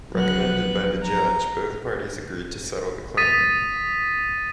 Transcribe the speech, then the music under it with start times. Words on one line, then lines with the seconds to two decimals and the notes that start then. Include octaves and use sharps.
Recommended by the judge, both parties agreed to settle the claim.
0.15 A#1 F#3 B3 F#6
1.02 A#5
3.17 D#6 A6 B6 D#7